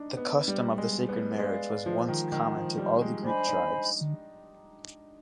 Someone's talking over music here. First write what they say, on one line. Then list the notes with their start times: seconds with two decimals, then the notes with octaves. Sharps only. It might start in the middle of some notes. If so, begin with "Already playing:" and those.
The custom of the sacred marriage was once common to all the Greek tribes.
Already playing: D4 D#4
0.17 B3
0.48 G3
0.78 G#3
1.09 B3
1.39 G#3 B4 D5 F5
1.86 F3
2.08 D#3
2.32 D#3
2.56 F3
2.78 G3
3.01 G#3
3.24 D4 C5 D#5 G#5 B5
3.47 D#4